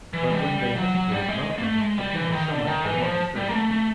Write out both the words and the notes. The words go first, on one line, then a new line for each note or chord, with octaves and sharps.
But when they hesitated about them, the king was so much the more disturbed.
E3
G#3
G3
G3
F#3
F#3
G3
G#3
A#3
A3
G#3
G3
E3
D#3
D3
D#3
E3
F3
G3
A#3
A3
A3